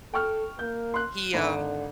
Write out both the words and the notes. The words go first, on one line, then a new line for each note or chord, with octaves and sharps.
he, um
A4 G5 C#6 F6
A#3 G6
C6 F#6
G#1 D3